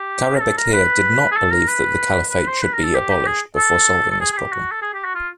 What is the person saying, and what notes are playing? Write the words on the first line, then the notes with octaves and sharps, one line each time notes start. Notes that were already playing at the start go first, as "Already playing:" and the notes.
Karabekir did not believe that the caliphate should be abolished before solving this problem.
Already playing: G4
A#4
A4
A#4
B4
G#4
A4
A#4
B4
B4
C5
B4
A#4
A4
G4
G4
G#4
A4
A4
G#4
G#4
G4
F#4
A4
G#4
G4
F#4
F4